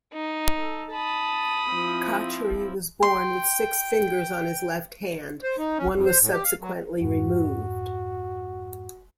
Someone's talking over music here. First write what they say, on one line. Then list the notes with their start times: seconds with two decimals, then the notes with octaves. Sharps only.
Cotchery was born with six fingers on his left hand; one was subsequently removed.
0.13 D#4
0.59 A4
0.93 A5 B5 D#6
1.72 F3 C4 E4
3.03 G5 C6
5.43 C5
5.58 D#4
5.78 C#4
5.94 F2
6.06 C5
6.21 A2
6.33 G4
6.44 F5
6.60 F#3
7.01 F2 G#2 F#4